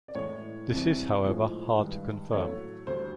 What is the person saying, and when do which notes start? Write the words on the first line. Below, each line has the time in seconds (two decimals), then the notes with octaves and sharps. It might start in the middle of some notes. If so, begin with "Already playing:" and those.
This is however hard to confirm.
0.08 D5
0.15 A2 E3 G#3 C#5
0.70 C2 C3 E3
1.25 A2 F3 G#3
1.79 G2 D#3 G#3
2.33 A2 F#3 A3 C#5
2.87 D2 D3 G3 C5